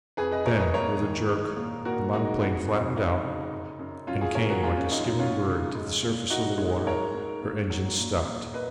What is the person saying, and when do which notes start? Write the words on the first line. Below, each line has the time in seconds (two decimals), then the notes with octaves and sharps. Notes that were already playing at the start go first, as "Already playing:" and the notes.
Then with a jerk the monoplane flattened out and came like a skimming bird to the surface of the water; her engines stopped.
0.17 F2 G#4 B4
0.32 B4 D#5
0.46 F2 A#4 C#5
0.59 B4 D#5
0.74 A#3 A#4 C#5
1.02 D#3
1.30 G#3
1.56 A#2
1.85 A#2 F#4 A#4
2.13 G#3 D#4 F#4
2.40 F2 D#4 F#4
2.69 F2
2.96 F#3 D#4
3.24 C#3
3.51 F#2
3.79 F#2
4.07 F#3 C#4 F4
4.21 F4 G#4
4.35 D#3 A#4 C#5
4.50 F#4 A#4
4.63 A#3 F4 G#4
4.77 C#4
4.91 F#2 D#4
5.05 D#4
5.19 F#3 C#4 F4
5.47 C#3
5.75 G#3
6.03 A#2
6.30 A#2 D#4 F#4
6.58 G#3
6.86 G#2 A#4 C#5
7.15 G#2
7.42 A#3
7.70 F#3
7.98 A#2
8.25 A#2
8.53 A#3 B4 D#5